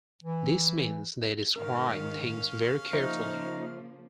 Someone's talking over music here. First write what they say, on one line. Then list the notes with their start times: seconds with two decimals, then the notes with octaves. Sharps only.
This means they describe things very carefully.
0.23 E3
1.56 G#2 D#3 C#4 A#4 F5 F6
2.93 C#3 F3 A#3 D#4 C5 E5 C#6